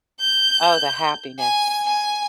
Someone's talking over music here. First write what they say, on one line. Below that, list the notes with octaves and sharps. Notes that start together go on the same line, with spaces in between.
oh, the happiness.
G6
G#5
G#5